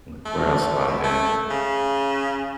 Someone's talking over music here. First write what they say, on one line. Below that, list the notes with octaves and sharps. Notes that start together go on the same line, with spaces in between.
like, where else have I been?
A3
B2
A3
C#3